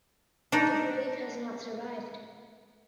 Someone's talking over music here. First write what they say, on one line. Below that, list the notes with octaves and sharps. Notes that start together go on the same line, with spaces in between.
The grave has not survived.
D4 D#4